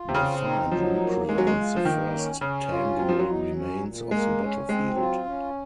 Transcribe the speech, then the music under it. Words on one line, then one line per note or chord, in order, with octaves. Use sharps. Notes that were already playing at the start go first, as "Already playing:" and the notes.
The find represents the first tangible remains of the battlefield.
Already playing: F4
C3
C#3 C4
D#4
F3 F#3
A#3
G#3 C#4
F#3
G#3
F4
F3
D#3 A#3
C#4
C#3 C#4
F4
F#3 C4
F3
F#3
D#4
C#4
A#2
G#3 A#3
C#4
G#3 C4
F#3 F4
C#4